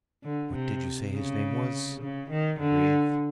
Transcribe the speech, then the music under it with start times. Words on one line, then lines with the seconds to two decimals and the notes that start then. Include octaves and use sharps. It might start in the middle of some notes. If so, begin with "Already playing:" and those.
"What did you say his name was?" I breathed.
0.24 D3
0.53 C3
1.12 C#3
2.01 C#3
2.30 D#3
2.60 D3